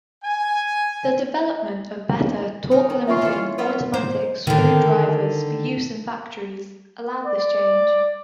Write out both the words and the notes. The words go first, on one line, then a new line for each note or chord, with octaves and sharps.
The development of better torque-limiting automatic screwdrivers for use in factories allowed this change.
G#5
D#4 A#4
D#3 D#4
A#3 C#4 F4 E5 A5 C#6
E3 A4
F#3 B3 F4 A#4 B4 F#5 B5
C5
D3 D#3
D5